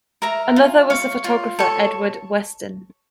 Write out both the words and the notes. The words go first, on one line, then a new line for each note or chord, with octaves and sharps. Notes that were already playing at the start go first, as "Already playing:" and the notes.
Another was the photographer, Edward Weston.
A#4 E5 A#5
F4
C#5 F5
F4
A4 C#5